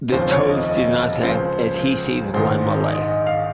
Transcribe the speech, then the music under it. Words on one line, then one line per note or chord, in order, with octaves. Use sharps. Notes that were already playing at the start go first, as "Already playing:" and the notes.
The toes do not have adhesive lamellae.
F1 D#2 C#3 F3 C5
C#5
D#5
D#5
C#2 C#3 F3 C5
A#1 G#2 D#3 C5
D#5
D#5
F5